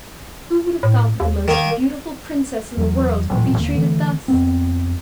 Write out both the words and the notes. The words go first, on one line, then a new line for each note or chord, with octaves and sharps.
Who would have thought that the most beautiful Princess in the world would be treated thus?
A2
D#2
D#3 A#3
E2 F#3
D#1 A1 A#2 F#3
D#2 D3 A#3
D3 E3 A3
F2 B3 C4